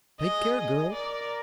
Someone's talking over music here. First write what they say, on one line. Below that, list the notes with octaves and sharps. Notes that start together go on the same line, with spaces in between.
"Take care, girl!"
G#4 D#5
D#5
A#4 D5